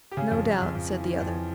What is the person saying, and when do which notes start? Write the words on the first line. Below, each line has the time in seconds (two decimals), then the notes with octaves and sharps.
"No doubt," said the other.
0.11 G4
0.17 C#3 G#4
0.31 F2
0.46 F2
0.61 F2
0.75 F2
0.90 E3
1.06 E3
1.20 F2